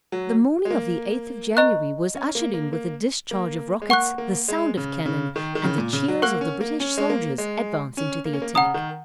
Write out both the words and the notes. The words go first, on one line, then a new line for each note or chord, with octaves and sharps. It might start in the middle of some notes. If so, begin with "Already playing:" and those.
The morning of the eighth of January, was ushered in with the discharge of rockets, the sound of cannon, and the cheers of the British soldiers advancing to the attack.
F#3
G#3
A#3
D#5 A#5 C#6 F#6
C#4
A#3
A#3
A#3
A#3
G#3
A#3 F#5 C#6 F#6
A#3
G#3
C#3
C#3
D#3
D#3
C#3
A#2
C#3
F#3
A#3 A#4 F#5 C#6 F#6
C#4
A#3
C#4
G#3
A#3
G#3
C#4
A#3
C#4
A#3
C#3 F#5 A#5 D#6
D#3